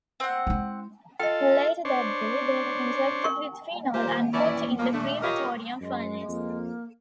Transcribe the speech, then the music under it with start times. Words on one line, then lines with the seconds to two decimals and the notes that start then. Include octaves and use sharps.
Later that day, they were injected with phenol and put in the crematorium furnace.
0.20 C4 F#5
0.47 G#3 E4
1.19 F4 A4 D#5 G5
1.85 D4 C5 C#5
3.24 A#4 C#6
3.94 A#3 F4 G4 C5
4.34 E3 C#4 E4 D5
4.79 F3 A#3
4.94 A3 D4
5.23 F4 G4 A#4 C#5 D#5
5.81 F#2 G#3
6.28 F2 A#3